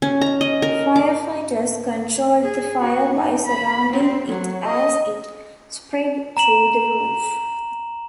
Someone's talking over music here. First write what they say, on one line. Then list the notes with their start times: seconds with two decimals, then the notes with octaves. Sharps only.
Firefighters controlled the fire by surrounding it as it spread through the roof.
0.02 C#4
0.21 A#5
0.41 D#5
0.62 A#4
0.96 D6
2.43 G#4
2.80 F#4
3.16 D#4
3.46 B5
3.93 C4
4.28 F#3
4.66 D#5
6.37 A#5 E7 F#7